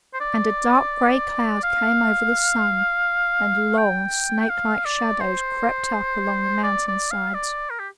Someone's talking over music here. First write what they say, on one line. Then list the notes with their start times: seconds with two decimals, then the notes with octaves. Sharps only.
And a dark gray cloud came over the sun, and long, snakelike shadows crept up along the mountain sides.
0.14 C5
0.20 D5
1.63 F5
3.78 G5
4.41 G5
4.49 F5
4.85 D5
5.21 C5
6.63 D5
6.87 D5
7.11 F5
7.34 D5
7.70 A#4
7.79 G4